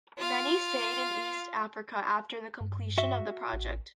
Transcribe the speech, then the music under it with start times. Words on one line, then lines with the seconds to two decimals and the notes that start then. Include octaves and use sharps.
Many stayed in East Africa after the completion of the project.
0.18 F4 F5
2.61 G2
2.98 F#4 E5
3.53 A1